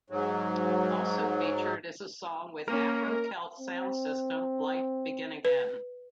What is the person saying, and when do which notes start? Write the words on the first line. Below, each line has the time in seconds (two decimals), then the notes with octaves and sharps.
Also featured is a song with Afro Celt Sound System, "Life Begin Again".
0.10 G#2 F#3
2.68 A#3 C#4 A#4
3.60 C4
5.45 B4